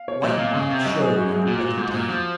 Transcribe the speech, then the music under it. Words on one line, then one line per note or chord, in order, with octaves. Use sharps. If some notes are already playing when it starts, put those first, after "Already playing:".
White marks showed on the pudgy tan.
Already playing: F5
C#5
A#2 D#5
A#2 F5
C#3
C3
F#2 D#5
G#4
F#4
G#4
A#2 F#4
F4
F#4
G#2
A#2
F3